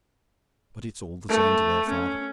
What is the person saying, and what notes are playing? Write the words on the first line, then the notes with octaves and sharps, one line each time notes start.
But it's all the same to their father.
A3
C#4